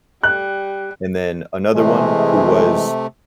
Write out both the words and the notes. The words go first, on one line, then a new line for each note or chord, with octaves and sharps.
and then another one, who was
G3 F#6
C3 E3 G#3 A3